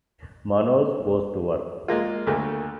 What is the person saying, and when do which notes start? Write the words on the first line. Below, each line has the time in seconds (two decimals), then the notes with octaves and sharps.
Manoj goes to work.
1.88 G#3 A#3 F4
2.27 D2 A3 A#3